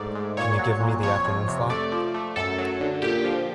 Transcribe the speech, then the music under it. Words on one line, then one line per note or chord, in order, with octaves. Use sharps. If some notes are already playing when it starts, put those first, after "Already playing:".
Can you give me the afternoon slot?
Already playing: G#2 A3 D5
G#2
A#2 C#5
F#3
A#2
F2 C#5
F2
C3
A3 D5
F3
A3
F#2 A4
F#3
D3
A#2 G4
F3